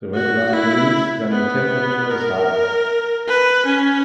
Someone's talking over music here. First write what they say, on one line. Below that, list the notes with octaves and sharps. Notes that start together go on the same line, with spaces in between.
The red light blinks when the temperature is high.
F#4
E4
B3
A#4
B4
C#4